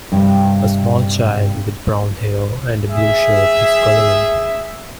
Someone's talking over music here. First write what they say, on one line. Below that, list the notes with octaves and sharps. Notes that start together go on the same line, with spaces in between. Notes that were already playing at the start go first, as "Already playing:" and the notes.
A small child with brown hair and a blue shirt is coloring.
G2 C3 C4
G#4 E5